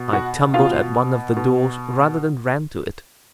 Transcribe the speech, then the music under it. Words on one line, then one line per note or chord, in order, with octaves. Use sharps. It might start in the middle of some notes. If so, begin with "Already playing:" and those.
I tumbled at one of the doors rather than ran to it.
Already playing: B2
F#4 F#5
B2 F4 F5
B2